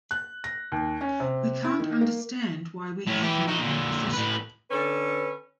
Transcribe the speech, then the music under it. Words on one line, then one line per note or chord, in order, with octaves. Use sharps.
We can't understand why we have no opposition.
F#6
A#6
D#2
C#4
C3
E4
D#3
A#3
A2 C#4
E3 G4
D#4 F#4
A#2 D3
A2 B4
D3 C#4 A4 B4